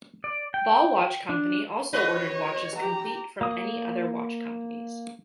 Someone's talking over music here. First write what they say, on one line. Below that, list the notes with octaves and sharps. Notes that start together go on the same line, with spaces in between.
Ball Watch Company also ordered watches complete from other watch companies.
D5
G5
D4
F#4 B4 C#5 D#5
G4 A#5
A#3 D#6